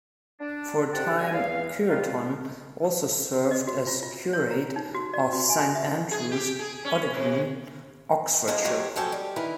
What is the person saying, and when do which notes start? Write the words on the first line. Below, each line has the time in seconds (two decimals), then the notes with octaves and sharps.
For a time Cureton also served as curate of St.Andrew's, Oddington, Oxfordshire.
0.41 D4
0.93 G#2 C3 G4 D5 F#5 A5
1.19 B2 E3 G3 G#5
1.32 E2 F5
1.89 G3 A#3 D#4 F4
3.51 D#5
3.67 F#4
3.87 F4
4.03 F4
4.33 C#5
4.51 A#5
4.76 D#4
4.95 F#4
5.14 D5
5.33 F#4
5.50 G#5
5.75 E5
6.11 G#4
6.31 G4
6.59 G#4
6.85 C#4
7.14 C3
8.48 D3 F3 G#3 A#3 B3 C5
8.64 E2 F#3 G#3 G4 C5
8.96 F2 F3 F#3 A4 G5 G#5
9.12 G3
9.36 D#3 E3 E4 A#4